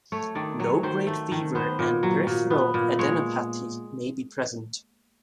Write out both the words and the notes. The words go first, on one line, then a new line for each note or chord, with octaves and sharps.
Low grade fever and peripheral adenopathy may be present.
A3 C#5
D#3 D5
F#3 C#5
D#3 C5
A3
D#3
B3 C5
A#2
F#3
A#2
B3
A#2
G#3 C#5